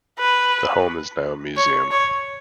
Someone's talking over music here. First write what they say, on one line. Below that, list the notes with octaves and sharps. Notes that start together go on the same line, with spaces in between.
The home is now a museum.
B4
C#5
C#5